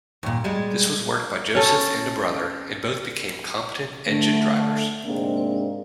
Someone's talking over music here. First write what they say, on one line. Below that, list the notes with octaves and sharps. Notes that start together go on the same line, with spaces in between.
This was worked by Joseph and a brother and both became competent engine-drivers.
D#2 A#2
G3 G#3
C#4 A4
D3 A3
G#2 C3 G#3 A#3 C4 D4